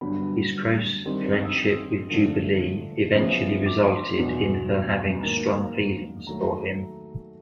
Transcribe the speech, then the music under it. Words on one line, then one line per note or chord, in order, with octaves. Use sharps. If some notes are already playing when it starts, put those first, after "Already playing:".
His close friendship with Jubilee eventually resulted in her having strong feelings for him.
G2 D3 F#3 B3 B5
D#3 G3 C4 D#4 C6
D#6
E6
D#6
D3 F3 A3 D4
F#2 C#3 F3 G#3 B3
D6
C6
E2 B2 F#3
G#2 D#3 F#3 A#3 A#5
D#3 F#3 A3 A#5